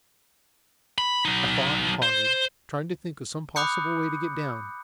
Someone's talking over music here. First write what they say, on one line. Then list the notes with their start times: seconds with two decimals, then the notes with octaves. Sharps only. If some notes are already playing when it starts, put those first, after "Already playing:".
I thought and pondered, trying to think of some possible way to get down!
0.98 B5
1.25 F#3 D#4
2.02 C5
3.56 B5 D6 D#6 F#6 G6 C#7